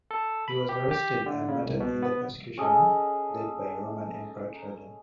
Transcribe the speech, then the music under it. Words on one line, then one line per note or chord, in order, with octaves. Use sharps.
He was arrested and martyred in the persecution led by the Roman Emperor Trajan.
A4
B5
G4
G4
D3
C#3
C2
B2
B3
C#4 G#4 A4 D#5